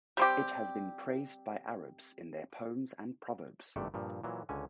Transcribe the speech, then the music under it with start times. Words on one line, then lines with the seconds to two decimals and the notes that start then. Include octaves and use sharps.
It has been praised by Arabs in their poems and proverbs.
0.17 G3 C4 G4
3.76 G#1 G2 C3 A3 A4 D5
3.94 G2 A#2 F3
4.24 A#2 E3 F#3
4.49 C#2 D3 C#4 G#5